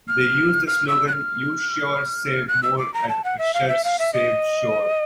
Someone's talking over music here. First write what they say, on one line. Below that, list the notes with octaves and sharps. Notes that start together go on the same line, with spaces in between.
They used the slogan You sure save more at a ShurSave store.
F6
F6
E6
F#6
F6
F#6
E6
D6
A#5
A5
F#5
E5
F5
E5
F5
E5
D#5